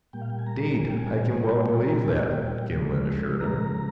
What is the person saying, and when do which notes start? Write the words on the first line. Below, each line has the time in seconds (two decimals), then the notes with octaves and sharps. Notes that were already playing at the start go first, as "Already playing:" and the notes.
"Indeed, I can well believe that," Gimblet assured him.
0.13 A#2 G3 A#3 G5
0.22 F5
0.30 G5
0.39 G#5
0.46 A#5
0.79 G#5
0.87 G5
0.95 G#5
1.44 G5
1.84 A#5
1.97 G#5
2.10 G5
2.75 C#3 F3 G#3
3.40 A#5